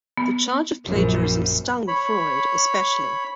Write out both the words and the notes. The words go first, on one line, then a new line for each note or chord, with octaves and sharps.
The charge of plagiarism stung Freud especially.
B3
A#1 F#2
C#5 B5